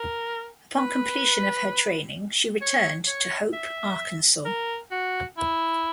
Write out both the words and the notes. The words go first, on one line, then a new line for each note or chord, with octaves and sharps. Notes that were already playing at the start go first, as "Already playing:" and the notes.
Upon completion of her training, she returned to Hope, Arkansas.
Already playing: A#4
B4
C#5
C#5
E5
A#4
F#4
E4